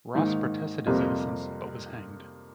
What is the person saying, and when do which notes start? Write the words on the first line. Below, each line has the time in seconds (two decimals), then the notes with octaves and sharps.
Ross protested his innocence but was hanged.
0.14 G#2 D#3 A#3 D#4
0.86 F2 C3 G3 A#3 F4